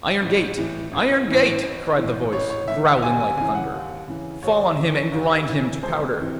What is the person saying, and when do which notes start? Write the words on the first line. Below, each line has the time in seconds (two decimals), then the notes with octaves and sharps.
'Iron gate, iron gate,' cried the voice, growling like thunder, 'fall on him and grind him to powder.'
0.22 A1
0.58 A2 E3
0.93 A1
1.28 A2 E3
1.63 A1
1.97 A2 E3
2.32 A1 C#5
2.50 C#5
2.67 A2 E3 E5
2.85 F#5
3.02 D#2 G#5
3.20 G#5
3.37 C#3 E3 G#5
3.55 F#5
3.73 D#2
4.08 C#3 E3
4.43 D#2 C#5
4.78 C#3 E3
5.13 D#2
5.48 C#3 E3
5.83 E1 C5
6.20 C3 E3